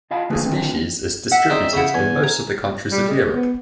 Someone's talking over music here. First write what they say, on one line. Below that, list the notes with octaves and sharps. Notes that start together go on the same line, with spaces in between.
The species is distributed in most of the countries of Europe.
F4 D#5 F5 A5 B5
D3 F3 A3 A#3 G#4 B4
D3 D#3 A3 C4 B4
E5 F#5
C4 D#4 G#4 D5
C#3 E4 C5 F#5
E2 G#5
A#5
G3
G#3
B3